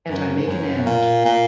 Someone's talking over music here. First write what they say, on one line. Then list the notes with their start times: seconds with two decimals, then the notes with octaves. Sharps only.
And I make an end.
0.10 F#2
0.37 G#2
0.48 F#2
0.86 A#2
1.25 A#2